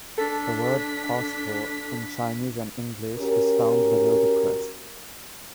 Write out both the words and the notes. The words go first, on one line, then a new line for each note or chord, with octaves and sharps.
The word "Passport" in Chinese and English is found below the crest.
D4 A4 B6
C#4 F#4 G4 A#4